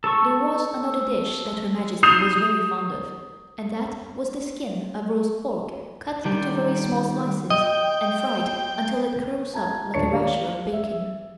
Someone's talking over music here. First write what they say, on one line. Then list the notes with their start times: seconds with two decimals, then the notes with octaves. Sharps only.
There was another dish that Her Majesty was very fond of and that was the skin of roast pork cut into very small slices and fried until it curls up like a rasher of bacon.
0.04 A4 C#6
2.03 D#6 G6 C7 E7 F7
6.25 D#3 G3
7.50 D#5 G5
9.54 A5 A#5 G#6
9.94 D#1 D4 C#5 A5 C#6 C#7
10.11 G4 D5 F5
10.73 E5